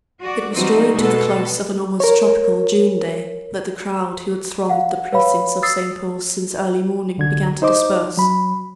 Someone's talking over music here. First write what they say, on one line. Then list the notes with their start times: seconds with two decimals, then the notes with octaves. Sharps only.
It was drawing to the close of an almost tropical June day, that the crowd who had thronged the precincts of St. Paul's since early morning, began to disperse.
0.22 F#4 D5
0.53 E3 G3 C4 D#4 F#4
0.92 B2 G#3 B3 A4
2.00 A#4 C#5
4.70 F5 F#5
5.13 B4 C#5 F5 B5
5.62 D#6 E6 A6 C7
7.18 C2 D3 G#6
7.62 D#4 C5 D#5 D6
8.17 F#3 B5